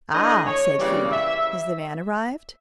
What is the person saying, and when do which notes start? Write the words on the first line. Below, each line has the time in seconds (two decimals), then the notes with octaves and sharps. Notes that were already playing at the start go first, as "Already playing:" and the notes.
"Ah!" said he, "has the van arrived?"
0.13 E3 A3 D4 D#5
0.46 C#5
0.79 C#3 E3 G3 A#3 D5
1.11 E5